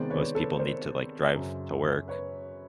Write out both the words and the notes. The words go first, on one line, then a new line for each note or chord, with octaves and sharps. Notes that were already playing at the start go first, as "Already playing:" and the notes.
Most people need to, like, drive to work
Already playing: C3 D#3 G#3 B3 C5 D5
B4 C#5
A4 B4
A#4 C5
F#2 C#3 F#3
B4 C#5